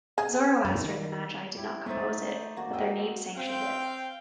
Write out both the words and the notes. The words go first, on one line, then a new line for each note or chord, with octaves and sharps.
Zoroaster and the magi did not compose it, but their names sanctioned it.
G#4
F#2
D#3
E4 G4
A3 D#4 C5 D5 E5
A#3 F#4
D#5 G5 E6
C4 F5 G5